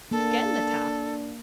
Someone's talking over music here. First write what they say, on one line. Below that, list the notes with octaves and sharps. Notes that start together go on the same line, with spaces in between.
Again the tap!
A#3 D4 A4